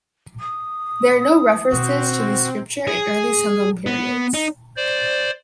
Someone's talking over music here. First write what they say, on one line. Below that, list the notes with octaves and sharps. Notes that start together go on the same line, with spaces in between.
There are no references to this scripture in early sangam periods.
D#6
B2 D#3 C4 F#4
G#4
B3
D#4
C5 D5